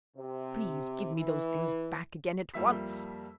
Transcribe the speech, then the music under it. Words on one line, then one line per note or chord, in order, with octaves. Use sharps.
"Please give me those things back again at once!"
C3
E3
F2 G3 A#3 E5 E6 B6